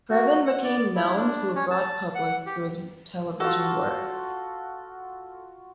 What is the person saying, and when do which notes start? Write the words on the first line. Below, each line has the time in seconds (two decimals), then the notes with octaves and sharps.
Previn became known to a broad public through his television work.
0.10 F#4
0.46 F#5
0.63 D5
0.95 E4
1.16 D4
1.56 C#4
1.71 A5
2.15 F#5
2.46 G4
3.40 F4 F#4 A4